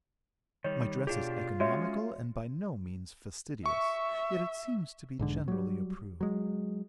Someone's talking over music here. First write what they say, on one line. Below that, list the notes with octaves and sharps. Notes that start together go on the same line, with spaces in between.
My dress is economical and by no means fastidious; yet it seems to be generally approved.
D#3 G3 C#5
B2 D4 F4 G4 G#4
G#3 C#4 F#4 C#5 E5
E5 C#6
B1 G#2 D3
F#3 G3
F#3 G#3